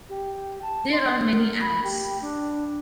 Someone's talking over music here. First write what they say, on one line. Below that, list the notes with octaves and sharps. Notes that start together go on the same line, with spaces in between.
There are many ads.
G4
A5
C6
A#4
B5
G4
D4